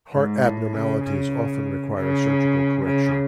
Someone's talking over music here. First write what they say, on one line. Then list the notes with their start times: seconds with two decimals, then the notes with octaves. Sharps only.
Heart abnormalities often require surgical correction.
0.14 G#2
0.44 A2
0.74 C#3
1.04 C#3
1.94 C#3
2.84 C#3